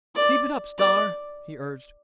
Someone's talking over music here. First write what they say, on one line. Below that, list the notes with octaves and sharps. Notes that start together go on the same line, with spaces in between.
"Keep it up, Star!" he urged.
D5
D5